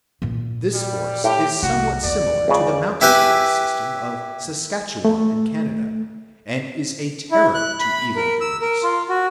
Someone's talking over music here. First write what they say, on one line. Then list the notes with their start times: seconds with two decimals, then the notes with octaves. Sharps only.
This force is somewhat similar to the mounted police system of Saskatchewan in Canada and is a terror to evil doers.
0.22 A#2 A#3
0.74 G3
1.24 A2 G4
1.63 C2 F#4
2.04 E2 D5
2.48 C#2 C#3
3.01 E4 G4 B4 G#5
5.05 A3
7.31 E4
7.54 F#6
7.80 B5
8.16 A#4
8.41 E6
8.62 A#4
8.83 F4
9.09 F#4